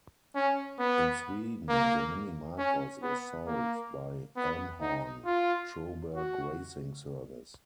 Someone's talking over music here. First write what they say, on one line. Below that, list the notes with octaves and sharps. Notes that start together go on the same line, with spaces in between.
In Sweden the Mini Marcos was sold by Elmhorn-Troberg Racing Service.
C#4
B3
A#3
C#4
B3
A#3
B3
D#4
F4
F#4